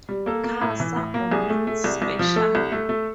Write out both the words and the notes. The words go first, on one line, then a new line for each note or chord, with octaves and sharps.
Khasa or means special.
G3
A#3 A4
A#3
A2
E3
A2
A#3
C2 G#4
A3
A3
C2
C2
F3
A3 A4
C2
A3
A3